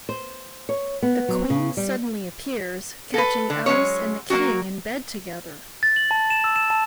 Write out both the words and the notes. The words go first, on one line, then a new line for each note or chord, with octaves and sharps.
The queen suddenly appears, catching Alice and the king in bed together.
C5
C#5
B3
F#3
C#3
G3
A4 B4
D3
F#3 G#3 A3 C#4 C#5
F#3 A#3 C#4 F4 F#4
A6
F#7
A5
E7
E6
E7
A5